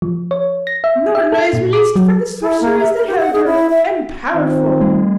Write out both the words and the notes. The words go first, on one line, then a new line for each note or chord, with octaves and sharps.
Noorna, is released from the sorceries that held her, and powerful.'
F3
C#5
A#6
E5
E5
A4
A#2
D6
F#3
E4
A#3
E5
A#4
G4
F#5
G#4
E4
E5
D#3 F3 C4
G3 A3